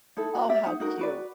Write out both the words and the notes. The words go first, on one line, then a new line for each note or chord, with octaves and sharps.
Oh, how cute.
D#4 E4 A4
F#4
G4 D5 E5
D#4 F#5
D#4 F#4 A#4
F#4 B4 D5